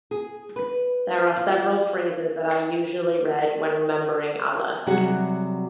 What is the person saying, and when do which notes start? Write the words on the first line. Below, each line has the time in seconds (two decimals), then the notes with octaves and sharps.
There are several phrases that are usually read when remembering Allah.
0.11 G#4
0.56 B4
1.37 F4
4.86 C3 F#3 G3 F#4 G#4 F#5